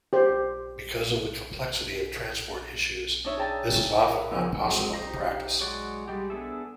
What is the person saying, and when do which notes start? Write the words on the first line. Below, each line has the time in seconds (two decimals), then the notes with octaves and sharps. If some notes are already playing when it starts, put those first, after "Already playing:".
Because of the complexity of transport issues, this is often not possible in practice.
0.13 G4 C5
3.24 D4 D#4 C#5 E5
3.37 G#4 D5 G5 A5 A#5
3.99 A#4 B4
4.31 E2 C#3 F3
4.68 F#3 G#3 C4
4.93 D#4 G4 C5 A#5
5.60 F#3 G#3 C#5 D5 F#5
6.08 G3 G#3 G4
6.30 B3 D4 G#4 A4 E5